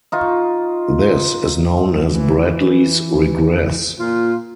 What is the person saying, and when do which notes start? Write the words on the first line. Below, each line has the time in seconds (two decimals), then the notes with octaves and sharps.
This is known as Bradley's regress.
0.12 D#4 F4 C#6
2.12 E3
3.98 A#2 F4